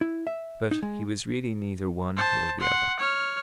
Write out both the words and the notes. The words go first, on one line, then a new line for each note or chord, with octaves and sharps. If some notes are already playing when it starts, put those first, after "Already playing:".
But he was really neither one nor the other.
E4
E5
D#4
G#3
C5 A5
F#5 C6
C#5 F6